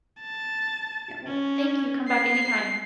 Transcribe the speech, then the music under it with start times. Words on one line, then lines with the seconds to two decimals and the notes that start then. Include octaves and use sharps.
Yep. Well, thank you. Come back anytime.
0.21 A5
1.27 C#4
2.08 C7